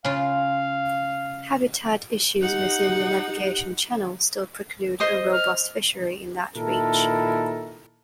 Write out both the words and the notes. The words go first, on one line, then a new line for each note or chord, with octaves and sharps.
Habitat issues within the navigation channel still preclude a robust fishery in that reach.
C#3 F4 F5
D#4 G4 F#5
C5 D#5 D#6
F6
A#2 D#3 E4 A4 A#4